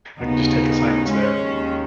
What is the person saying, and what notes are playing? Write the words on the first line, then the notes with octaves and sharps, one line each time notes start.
I can just take assignments there,
D#2 C#3 B3 D#4
G#3 C#4
D#2 D#3